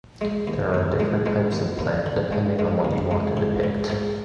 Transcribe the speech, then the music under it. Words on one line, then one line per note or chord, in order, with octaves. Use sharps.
There are different types of plant depending on what you want to depict.
G#3
D#2
D#2
G#3
G#3
D#2
D#2
D3
G#3
G#3
D#2
G#3
G#2
G#2
G#2